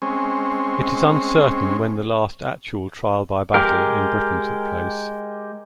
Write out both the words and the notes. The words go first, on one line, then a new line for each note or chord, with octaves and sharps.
It is uncertain when the last actual trial by battle in Britain took place.
G#3 C4 C#4
G#3 G4 A#4